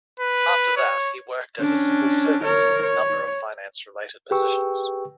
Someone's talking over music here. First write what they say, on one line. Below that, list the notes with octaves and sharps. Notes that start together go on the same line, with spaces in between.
After that he worked as a civil servant in a number of finance-related positions.
B4
C#5
C#4 D4
A#4 C#5
C#5
G4 G#4 B4 G5 C#6 E6